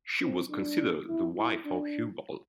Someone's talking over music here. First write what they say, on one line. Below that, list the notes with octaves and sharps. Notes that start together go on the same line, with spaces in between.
She was considered the wife of Hubal.
C4
D4
E4
E4
D4